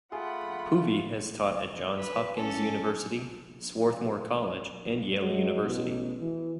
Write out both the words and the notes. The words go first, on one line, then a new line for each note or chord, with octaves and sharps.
Poovey has taught at Johns Hopkins University, Swarthmore College, and Yale University.
A3 F4 G#4 F#5 B5
B4
C#4 A4
F#3 G#3
A1 B2
E3